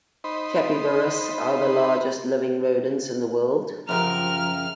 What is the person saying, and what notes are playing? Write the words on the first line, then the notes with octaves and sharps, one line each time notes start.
Capybaras are the largest living rodents in the world.
D#4 C5 B5
F#2 C#3 F3 G4 A#4 F6